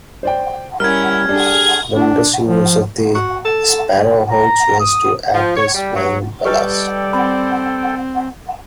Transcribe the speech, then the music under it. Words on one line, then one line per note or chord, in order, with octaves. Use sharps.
One interesting use of the Sparrowhawks was to act as 'flying ballast'.
C5 D5 G5
G3 C#4 E4 A#4 F6 G#6
G3 D4 G#4 A4
D4
F3
F#4
A4
A#5
D#6
F3
C#5
G3
F#3
G3 G4 A4 B4 D5 D#5 G5
C4 B5